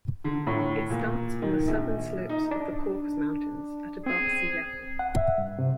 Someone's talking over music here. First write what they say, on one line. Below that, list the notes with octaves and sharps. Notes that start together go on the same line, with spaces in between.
It starts on the southern slopes of the Caucasus Mountains at above sea level.
D3
A2
A#2
D#3
A#1
D#4
D4
C4 G#4
F#5
E5
G2
C3